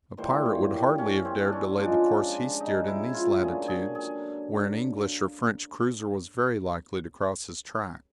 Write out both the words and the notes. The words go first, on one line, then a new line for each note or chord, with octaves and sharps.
A pirate would hardly have dared to lay the course he steered in these latitudes, where an English or French cruiser was very likely to cross his track.
A2 E3 G3 A#3 C5
C#5
G4
C#4
C4
D4
C#4
C#3 F3 G#3 D4
D#4
E4
F4
D3 F#3 A#3 G#4
G#4
G#4